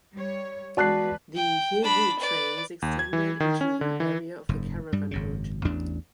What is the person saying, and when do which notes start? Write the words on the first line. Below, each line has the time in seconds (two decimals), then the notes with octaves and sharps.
The Hehe trains extended into the area of the caravan route.
0.14 G3 C#5
0.77 E2 G#3 F#4 B4 D5 A5 F#6 C7
1.35 G5
1.82 D4 B5
2.18 B4 D5
2.82 D#2
2.99 G#6
3.13 E3
3.40 D#3
3.61 C#4
3.81 D3
4.00 E3
4.49 F#1 G#2
4.92 G2 G3
5.11 G#1 F#2 C#3
5.65 A1 E2 D4